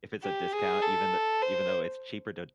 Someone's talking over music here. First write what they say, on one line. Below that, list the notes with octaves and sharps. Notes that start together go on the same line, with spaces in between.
if it's a discount, even th even though it's cheaper to
G4
G#4
A4
C5